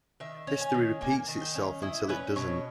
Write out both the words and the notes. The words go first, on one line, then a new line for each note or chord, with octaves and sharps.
History repeats itself until it doesn't.
D#3 E5
C#4
G#5
D#3
A#3 G#5
D#3
G5
C#4
E4 D#5
C#4 B4
B2 C#5